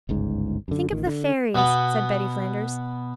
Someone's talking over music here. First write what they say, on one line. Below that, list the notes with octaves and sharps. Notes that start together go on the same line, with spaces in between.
"Think of the fairies," said Betty Flanders.
G1 C#2 G#2
F#2 D3
A1 D#3
D3
B2 B3